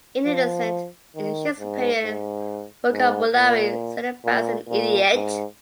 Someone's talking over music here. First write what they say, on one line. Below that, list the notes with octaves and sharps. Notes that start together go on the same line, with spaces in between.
An innocent, in Shakespearean vocabulary, signifies an idiot.
F3
D#3
G#2
G#2
G#2
A#2
A#2
A#2
G#2